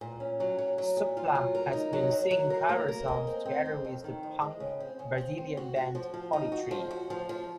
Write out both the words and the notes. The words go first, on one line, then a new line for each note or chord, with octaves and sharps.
Supla has been singing cover songs together with the punk Brazilian band Holly Tree.
A#2
C#4
F#3
F#3
F#3
A#2
F4
F#3
A#4
D#4
F#3
F#3
F#3
A#4
A#3
A#4
G#3
C4
C4
F2
F2
D#3
F2
G#3
C#3
C4
C#3
C4
C4
F#4
F#4
F3
F3
D#4
F#4
F3
F#4
F3
F3